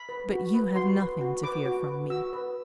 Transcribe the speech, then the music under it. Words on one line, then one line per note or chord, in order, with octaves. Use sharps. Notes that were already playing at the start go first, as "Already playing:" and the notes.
But you have nothing to fear from me.
Already playing: B5
B4
F#4
B4
F#4 C6
B4
F#4
B4 D6
F#4
B4
F#4 E6
B4